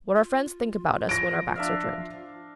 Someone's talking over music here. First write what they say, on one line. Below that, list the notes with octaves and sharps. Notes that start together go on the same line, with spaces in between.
What our friends think about us when our backs are turned.
F4
F3 A#6 D7
D4 E5 F5